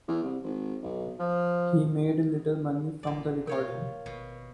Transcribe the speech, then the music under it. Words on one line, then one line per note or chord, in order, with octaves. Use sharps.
He made little money from the recording.
E2
C2
G#1
B1
F3
D#1 A#2 D5
C3 F4 A#4 C#5 G5
G#1 B2